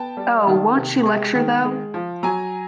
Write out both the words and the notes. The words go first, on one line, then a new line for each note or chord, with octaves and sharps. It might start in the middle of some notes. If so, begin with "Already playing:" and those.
Oh, won't she lecture though!
Already playing: B3 G5 A5
G3
D#3
C3
G#3
D#3
G#3
F3
F#3 G#5 A#5